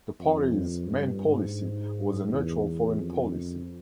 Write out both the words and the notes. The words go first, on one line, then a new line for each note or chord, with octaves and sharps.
The party's main policy was a neutral foreign policy.
F2
G2
G#2
E2
F2